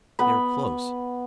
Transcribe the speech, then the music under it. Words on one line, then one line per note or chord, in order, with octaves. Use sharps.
They are close.
B3 B5